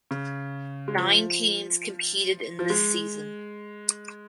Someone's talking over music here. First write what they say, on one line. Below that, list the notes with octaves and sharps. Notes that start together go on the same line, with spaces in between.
Nine teams competed in this season.
C#3
G#3
F3
F3
G#3